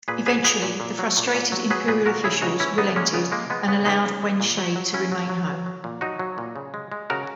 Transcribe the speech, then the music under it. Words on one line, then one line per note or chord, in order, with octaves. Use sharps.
Eventually, the frustrated imperial officials relented and allowed Wen Shi to remain home.
A#2 G#4 B4
A#2 G#4 B4
A#2 G#4 B4
A#2
A#2
F#3
A#2
A#2
F#3
F#3 G#4 B4
A#2 G#4 B4
A#2 F#4 A#4
C#3 E4 G#4
C#3 D#4 F#4
E3 C#4 E4
C#3 B3 D#4
G#3 A#3 C#4
C#3 B3
G#3 A#3
G#3 B3
C#3 B3
C#3 B3 D#4
C#3
E3
A#2
F#3
F#3
F#3 C#4 E4
F#3
F#3
F#3
F#3
A#2
F#3 D#4 F#4
F#3
A#2
C#3
G#3
G#3
C#3 F#4 A#4